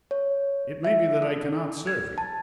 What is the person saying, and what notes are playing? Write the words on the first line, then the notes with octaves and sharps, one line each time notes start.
It may be that I can not serve you.
C#5
E5
A4
G#6
A5